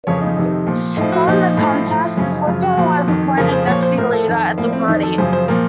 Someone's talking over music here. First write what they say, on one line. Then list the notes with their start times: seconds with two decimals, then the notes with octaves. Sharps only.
Following the contest, Silipo was appointed deputy leader of the party.
0.07 F2 C#3 F3 C#5
0.21 D#4
0.37 F2 C3 D#3
0.67 A#2 F3
0.97 A2 F3 D#4
1.12 F#4
1.27 A#2 F3 D#4
1.57 A2 F3
1.87 A2 F3
2.17 F#2 C#3 F3 C#4
2.32 D#4
2.47 F#2 C#3 F3 F4
2.62 F#4
2.77 A#2 F3
3.08 F2 D#3
3.37 F2 C#3 F3 A#4
3.53 C5
3.67 A#2 F3 C#5
3.83 C5
3.98 A2 F3 A#4
4.13 A4
4.28 F2 D#3
4.58 A2 F3 A#3
4.73 C4
4.88 F2 D#3 D#4
5.03 A4
5.18 F#2 C#3 F3 C5
5.33 C5
5.48 A#2 F3 A#4